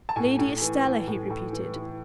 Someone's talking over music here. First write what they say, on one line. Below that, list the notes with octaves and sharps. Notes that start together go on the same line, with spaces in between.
"Lady Estelle," he repeated.
A5
A2 G#5
A2
E3
E3
A2
A2
E3
E3